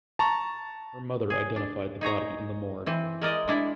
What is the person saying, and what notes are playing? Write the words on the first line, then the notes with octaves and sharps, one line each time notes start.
Her mother identified the body in the morgue.
A5 A#5 C#6
G#4
D4
D#4 G#4 C#5 A#5
E3 C4
G#3 A#4 D5 D#5
G#3 D4 E4